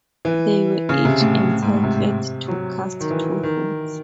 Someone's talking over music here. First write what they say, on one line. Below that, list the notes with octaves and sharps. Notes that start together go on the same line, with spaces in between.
They were each entitled to cast two votes.
E3
C#3
C3
A2
G#2
A2
C3
F#3
D#3
E3
D#3